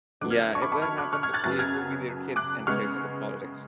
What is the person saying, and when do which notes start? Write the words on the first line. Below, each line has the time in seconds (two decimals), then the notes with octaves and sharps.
Ya, if that happened it will be their kids entrace into politics.
0.21 F2 D3 F#3 B3 D6 F#6
0.31 F6 G#6
0.41 F6 G#6
0.55 C#6
0.62 B5 D6
0.72 A5 C#6
0.82 F6 G#6
0.98 D6 F#6
1.13 C#6 F6
1.23 F6 G#6
1.34 F#6 A6
1.44 F#2 C#3 F#3 B3 F#6 A6
1.59 F6 G#6
2.36 D6 F#6
2.67 C#3 G#3 B3 C#6 F6